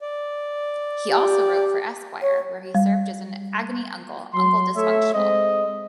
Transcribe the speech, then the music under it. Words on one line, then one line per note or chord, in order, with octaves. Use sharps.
He also wrote for "Esquire", where he served as an agony uncle, 'Uncle Dysfunctional'.
D5
G4
C#5
G3
F#3 C6
A3 A4 C#5 E5
G#3 C4 D#5